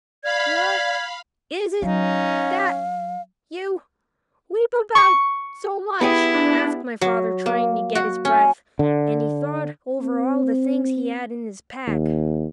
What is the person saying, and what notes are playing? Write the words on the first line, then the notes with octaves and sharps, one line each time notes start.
"What--is it--that--you--weep about--so much?" asked my father, trying to get his breath, and he thought over all the things he had in his pack.
D5 F5 B5 G#6
F#3 C#4 D#4 F5
C#6
B3 E4 G4 G#4
D4
F#3
A#3
F#4
C#4
D3
C4
D#2